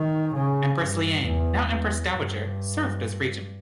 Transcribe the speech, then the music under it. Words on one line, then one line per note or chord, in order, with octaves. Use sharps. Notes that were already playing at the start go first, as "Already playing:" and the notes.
Empress Liang, now empress dowager, served as regent.
Already playing: D#3
C#3
G2
E2
E2
G2